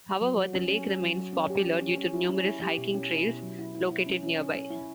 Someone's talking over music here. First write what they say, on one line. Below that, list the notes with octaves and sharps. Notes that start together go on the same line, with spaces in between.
However, the lake remains popular due to the numerous hiking trails located nearby.
F#3
F#3
C#4
C#4
C#4
F#3
F#3
C#4
G4
C#4
C#4
C#4
E4
C#4
E4
G4
B2
C#4
E4
B2
F#3
E4
E4
E4
C#4
C#4
C#4
C#4
E4